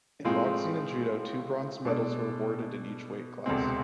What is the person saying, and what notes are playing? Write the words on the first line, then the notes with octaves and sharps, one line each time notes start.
In boxing and judo two bronze medals were awarded in each weight class.
A2 F3 G#3 C4 F4
B2 G#3 D4 A4 D5
E1 D2 C3 G#3 C4